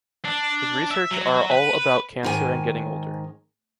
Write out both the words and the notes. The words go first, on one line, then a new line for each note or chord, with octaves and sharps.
His research are all about cancer and getting older.
D4
E5
F#3
B4
G#2 D#3 G#4 G#5